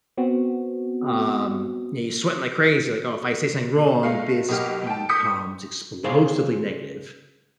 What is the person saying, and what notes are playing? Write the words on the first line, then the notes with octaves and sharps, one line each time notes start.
Um, you know, you're sweating like crazy, like, "Oh, if I say something wrong, this becomes explosively negative."
B3 C4 F#4
G#3 A3 F5
B1 B2 A#3 G4 F6
G5 A5
D#6 G6 B6 C#7
C#3 G#4 C5 D5 F5